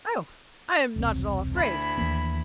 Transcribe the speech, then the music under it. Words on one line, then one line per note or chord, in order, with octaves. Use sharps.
'Oh! I'm not at all afraid.
E1 C2 C4
D2 E4 B5
D#2 E3 A#3